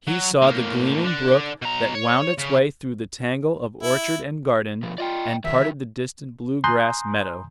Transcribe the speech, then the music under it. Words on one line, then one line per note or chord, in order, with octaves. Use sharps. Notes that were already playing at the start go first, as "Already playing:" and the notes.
He saw the gleaming brook that wound its way through the tangle of orchard and garden, and parted the distant blue-grass meadow.
F#3
A2 A#3
D3 D4
B2 A#5
C#5
C#3
E4
B2 F3
F4 D5 D#5 G5
D#3 F#3 E5
G#5 A#5 C6 D#6 F#6 G6